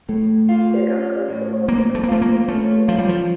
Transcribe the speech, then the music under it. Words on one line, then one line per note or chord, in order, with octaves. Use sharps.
They occur throughout the Northern Hemisphere.
A2 A3
F4
C#4
A2
A2 A#3
A3
A#3
A3 F4
A#3
A3 C#4
F3 F4
G3
F3